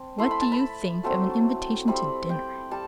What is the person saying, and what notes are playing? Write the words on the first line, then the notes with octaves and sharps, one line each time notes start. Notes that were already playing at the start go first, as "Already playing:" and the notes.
What do you think of an invitation to dinner?
Already playing: C4 A5
A3 E4 C6
B5
A5
B5
F#3 A3 C4
G3 C4 E4 B5
G5
G3 A5